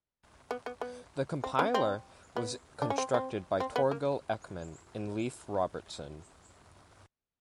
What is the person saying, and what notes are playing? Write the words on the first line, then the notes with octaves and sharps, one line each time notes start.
The compiler was constructed by Torgil Ekman and Leif Robertson.
B3
B3
B3
C4
B3 C#4
C4
B3
D4
C#4
C4
C4
C4
B3
A#3